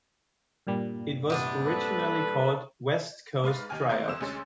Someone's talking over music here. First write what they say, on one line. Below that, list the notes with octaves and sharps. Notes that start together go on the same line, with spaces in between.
It was originally called "West Coast Tryouts".
G2 A#2 G3
C3 B3 D4
A4 B4
G#2 B4 F5 A6
D#2 D#3 G5 G#5 F6
A3 A#3 A#5 C6 F#6 G6
F2 C5 E6 E7
D2 G#3 C#4 C6 A6